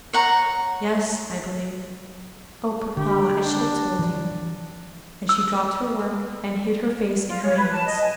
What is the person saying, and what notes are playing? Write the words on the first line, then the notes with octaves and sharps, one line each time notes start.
'Yes; I believe--oh papa, I should have told you.' And she dropped her work, and hid her face in her hands.
C#5 F#5 A#5
D3 G4
D4
E3 F3
E6
F4
C#5
B4
A5
D#5
G#5